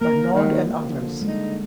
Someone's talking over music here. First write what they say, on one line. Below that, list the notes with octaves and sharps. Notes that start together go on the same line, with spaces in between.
Barnard and others.
A#3 A#4
D#3
F3
D3
G#3
G3 D#4